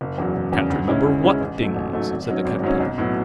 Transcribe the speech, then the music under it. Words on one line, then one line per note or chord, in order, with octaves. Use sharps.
'Can't remember WHAT things?' said the Caterpillar.
F#1
E2 C#3 F#3
F#1
E2 C#3 F#3
D2
C#3 G#3 C#4 E4
D2
C#3 G#3 C#4 E4
A1
G#2 F#3 A3
A1
G#2 F#3 A3
G#1
G#2 F#3 C#4
G#1
G#2 F#3 C#4
B1
A2 F#3 B3